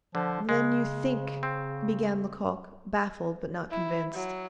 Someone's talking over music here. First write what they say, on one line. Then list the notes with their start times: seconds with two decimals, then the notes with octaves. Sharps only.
"Then you think--" began Lecoq, baffled but not convinced.
0.15 D3 F3
0.49 C#3 G#3
1.43 C4
3.71 E4
4.13 F#3